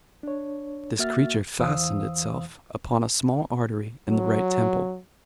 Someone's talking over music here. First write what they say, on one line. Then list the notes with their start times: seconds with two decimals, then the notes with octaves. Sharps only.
This creature fastened itself upon a small artery in the right temple.
0.23 D4 C#5
0.99 A#3 F#4 E5 F6 A6
1.59 E2 E3 C5 F5 D#6 E6
4.09 F#3